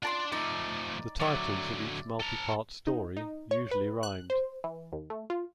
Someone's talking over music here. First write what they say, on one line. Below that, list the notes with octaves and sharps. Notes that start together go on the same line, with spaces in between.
The titles of each multi-part story usually rhymed.
D4 F4 D5 A5 C6
F3 A3 D#4 D5
D3 F#3 D5 E5
A4 A#5
D#4
D#4
C#5
B4
F#6
C5
E3
D#2
A3
F4